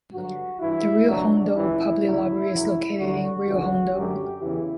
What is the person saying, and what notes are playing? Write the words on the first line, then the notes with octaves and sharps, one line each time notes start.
The Rio Hondo Public Library is located in Rio Hondo.
G2 D3 F#3 F#4
G2 E3 E4
C#2 B2 F#3 D4
C#2 C#3 E3 E4
D2 C#3 F#3
F#2 C#3 F#3
D2 D3 F#3 F#4
D2 C#3 E3 F#4
F#2 D3 F#3 G4
E2 C#3 E3 E4